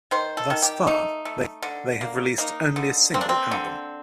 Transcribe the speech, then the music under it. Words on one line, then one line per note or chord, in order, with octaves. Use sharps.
Thus far they have released only a single album.
D#3 C5
A4
D#3
G4
A3 D#4
A3
D3
A#3
A#3 D#4
D3
A#3 C4
D4
C4
D3